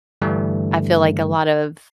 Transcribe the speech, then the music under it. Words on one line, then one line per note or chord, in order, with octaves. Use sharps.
I feel like, a lot of
G2 D3 E3 G3 A3